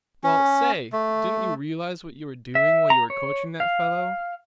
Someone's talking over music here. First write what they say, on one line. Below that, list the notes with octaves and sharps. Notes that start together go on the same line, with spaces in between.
Well, say, didn't you realize what you were doing while you were coaching that fellow?
C#4
A3
E5
A#5
C#5
F5